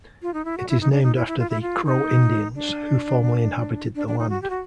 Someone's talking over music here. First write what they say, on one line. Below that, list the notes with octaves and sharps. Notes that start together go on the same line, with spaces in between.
It is named after the Crow Indians who formerly inhabited the land.
F4
D#4
E4
F#4
E4
D#4
D4
D#4
E4
E4
F4
E4
F4
D#4
D4
D4
D4
D#4
F#4
G4
F#4